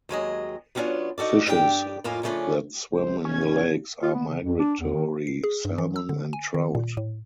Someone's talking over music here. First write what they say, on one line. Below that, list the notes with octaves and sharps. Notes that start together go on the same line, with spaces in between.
Fishes that swim in the lakes are migratory salmon and trout.
D#2 F#3 G#3 D#5
F#3 G3 B3 C#4 D4 F4
D#4 F#4 A4 D5
G2 D4 G4 G#4 G5
F2 A2 A#3 F4 G#5
C#3 F3 A3 C#4 D4
C#2 C5
F1 C#4 G#6
F4
B3
C#3
F2
D4
E2
D#3
C7
G#4
G2
E3
E6
D3
G#5
D#3
A#2
A2